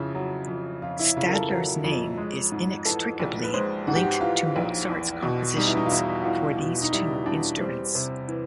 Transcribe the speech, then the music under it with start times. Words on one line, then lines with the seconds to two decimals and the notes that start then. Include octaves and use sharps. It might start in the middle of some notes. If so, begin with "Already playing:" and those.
Stadler's name is inextricably linked to Mozart's compositions for these two instruments.
Already playing: F2 C#3 E4
0.15 F#3
0.48 F2
0.82 F2 F4
0.99 E4
1.17 C#3 F4
1.28 A#4
1.34 A4
1.50 F#3 A#4
1.84 F2
2.18 G#3
2.52 G#2
2.85 E3 A4
3.20 A#1
3.43 B4
3.54 G#3 C5
3.87 G#2 F#4
3.96 G4
4.03 F#4
4.21 E3 F4
4.56 A#1
4.89 E2
5.22 B2
5.56 G3 D#4
5.67 E4
5.77 D#4
5.86 F4
5.91 E2 E4
6.21 F#4
6.25 E2 F4
6.58 B2
6.82 D#4
6.92 G3 E4
7.26 E2 D4
7.60 G3 C4
7.95 C3
8.28 E3